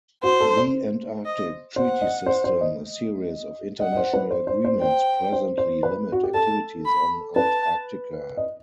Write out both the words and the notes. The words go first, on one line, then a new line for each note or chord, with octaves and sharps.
The Antarctic Treaty System, a series of international agreements, presently limit activities on Antarctica.
F#4 C5
A4
C5
D#5
C5 F#5
D#5
C5
C5
D#5
D#5 F#5
D#5
C5
B4
C5
C5
C5
C5 G5
C5
C5
B4
F#4
G4
A4 A5
B5
B4 A5
D#5